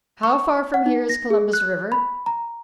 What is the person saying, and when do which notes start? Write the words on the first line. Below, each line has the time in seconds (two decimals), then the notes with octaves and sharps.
How far from here is Columbus River?
0.23 C#6
0.74 F#5
0.86 D#4
1.09 A#6
1.30 G#4
1.53 F#6
1.92 B5
2.26 A#5